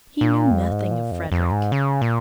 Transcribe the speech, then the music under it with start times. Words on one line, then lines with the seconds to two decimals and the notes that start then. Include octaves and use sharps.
He knew nothing of Frederick.
0.21 A#2
0.51 F2
0.71 G#2
0.91 A#2
1.11 F2
1.32 F2
1.52 G#2
1.72 C#3
2.01 A#2